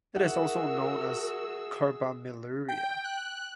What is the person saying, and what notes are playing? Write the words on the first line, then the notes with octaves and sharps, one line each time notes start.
It is also known as carbamylurea.
E4 F#4 G#4 A#4 F#5 E6
G5
F#6